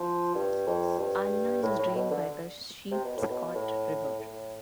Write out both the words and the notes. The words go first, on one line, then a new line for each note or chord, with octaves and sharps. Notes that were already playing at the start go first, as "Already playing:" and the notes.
Alna is drained by the Sheepscot River.
Already playing: F3
G2
F2
G2
A2
A2
B2
D3
C3
B2
A2
B2
A2
A2